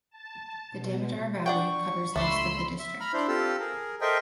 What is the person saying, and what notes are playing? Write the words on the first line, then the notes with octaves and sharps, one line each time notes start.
The Damodar valley covers most of the district.
A5
B2
D4 F#5 G5 C#6
C#2 A3 D4 B5 C6 E6
E5
A#5 B5 F6
D4 E4 C5
C4 F4 G4 A4 E6
G#4 A#4
A4 A#4 C5 D#5 E5 G5